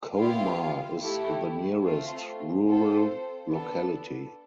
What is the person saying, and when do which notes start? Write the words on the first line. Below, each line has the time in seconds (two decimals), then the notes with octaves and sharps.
Komar is the nearest rural locality.
0.16 B3 E4 F4 G4 F5
1.00 A3 E4 G4
1.83 A3 C4 F4
2.65 C4 F4 A4 C5
3.49 B3 D4 A4